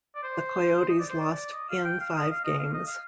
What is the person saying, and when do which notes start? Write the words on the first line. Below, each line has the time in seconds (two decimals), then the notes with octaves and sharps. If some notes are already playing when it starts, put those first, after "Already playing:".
The Coyotes lost in five games.
0.15 D5
0.23 C5
0.89 D#5
0.99 D5
1.09 C5
1.20 D5
1.52 D#5
1.69 F5
1.85 G5
2.00 F5
2.17 D#5
2.30 F5
2.44 D#5
2.59 F5
2.74 D#5
2.86 F5